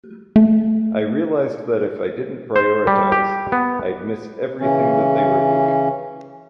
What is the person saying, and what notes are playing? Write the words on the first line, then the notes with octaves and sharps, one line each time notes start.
I realized that if I didn't prioritize, I'd miss everything that they were doing.
A3
C5
G3
G4
B3
C#3 E3 C#4